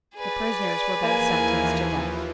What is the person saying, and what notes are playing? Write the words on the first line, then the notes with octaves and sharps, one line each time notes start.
The prisoners were both sentenced to death.
G#4 B4 D5
D#2 E3 F3 A#3 G#5